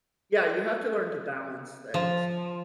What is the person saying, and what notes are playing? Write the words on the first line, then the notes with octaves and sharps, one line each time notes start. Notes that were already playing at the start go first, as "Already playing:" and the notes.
yeah, you have to learn to balance things.
F3